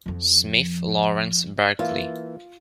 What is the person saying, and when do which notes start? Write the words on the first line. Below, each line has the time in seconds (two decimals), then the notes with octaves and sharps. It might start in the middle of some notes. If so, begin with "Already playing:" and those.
Smith, Lawrence Berkley.
0.06 F2 F3
1.79 E3 A#3 F4 E5